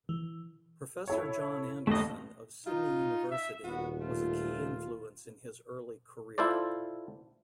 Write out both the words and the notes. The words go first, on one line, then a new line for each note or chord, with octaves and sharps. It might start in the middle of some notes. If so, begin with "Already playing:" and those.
Professor John Anderson of Sydney University was a key influence in his early career.
E3
E4 A4 C#5
G1 D#2 A3 D#5
D#4 F4
E5
D#1 B3 F#4
A3 F4
E4 F4 A4 C5 D5